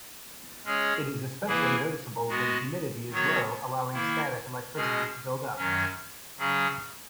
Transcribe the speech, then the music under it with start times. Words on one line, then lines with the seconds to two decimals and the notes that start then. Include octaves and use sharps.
It is especially noticeable when humidity is low, allowing static electricity to build up.
0.65 G#3 C#4 G#4 C#5
1.47 E3 A#3 E4 G#4 B4
2.29 G#3 B3 F#4
3.10 D#3 F#3 B3 F#4 C#5
3.92 D#3 A#3 E4
4.75 B2 G#3 C#4 G#4
5.56 F#2 D#3 F#3 C#4
6.38 C#3 F#3 C#4 G#4